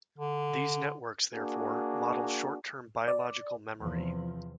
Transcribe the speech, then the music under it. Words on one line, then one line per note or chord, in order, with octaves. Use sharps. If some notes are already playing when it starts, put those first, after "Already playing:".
These networks, therefore, model short-term biological memory.
D3
A#3 D4 F#4 G#4
D5
E2 C3 F3